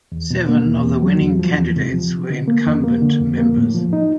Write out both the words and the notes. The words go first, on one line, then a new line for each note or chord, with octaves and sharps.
Seven of the winning candidates were incumbent members.
E2
B2
A#3
E2
E2
F#3
E2
F3
E2
C3
F3
C3
D3
A#3
F2
A#3
D3
F2
A#3
A2
F3
D#4